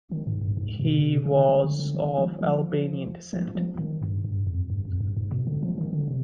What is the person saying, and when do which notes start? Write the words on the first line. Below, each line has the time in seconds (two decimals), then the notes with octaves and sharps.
He was of Albanian descent.
0.11 D#3
0.27 G#2
0.41 G2
0.57 G#2
0.79 B2
0.94 D3
1.03 C3
1.25 D3
1.49 D3
1.64 D3
1.79 D3
1.95 D#3
2.18 F3
2.41 F3
3.33 F3
3.55 F3
3.78 D#3
4.02 G2
4.25 G2
4.47 F2
4.70 G2
4.85 F2
5.01 G2
5.17 G#2
5.32 B2
5.47 D3
5.63 F3
5.78 D#3
5.93 D3
6.08 C3